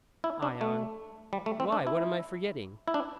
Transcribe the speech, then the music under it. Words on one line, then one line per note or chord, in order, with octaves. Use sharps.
ION: Why, what am I forgetting?
E4
D4
A3
G3
A3
C4
D4
E4
E4
D4